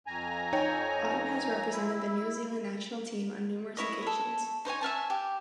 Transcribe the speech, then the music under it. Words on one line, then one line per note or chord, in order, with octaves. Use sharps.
Oughton has represented the New Zealand national team, on numerous occasions.
F2 G#5 A#5
D#4 C#5 G5
E4
E4 C#5 D#5
A4 C#5
D#4 C5 C#5 G#5
E5 F5 G#5 A5
G4